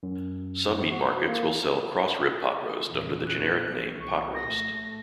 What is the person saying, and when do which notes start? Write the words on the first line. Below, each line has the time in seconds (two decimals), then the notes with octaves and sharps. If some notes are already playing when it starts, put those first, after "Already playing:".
Some meat markets will sell cross-rib pot roast under the generic name pot roast.
0.03 F#2
0.91 F#4
1.28 A#3
2.89 A#1 E2
3.26 F#6
4.00 C2 C3 C#6
4.34 A#1 A3 A#6
4.70 A2 A3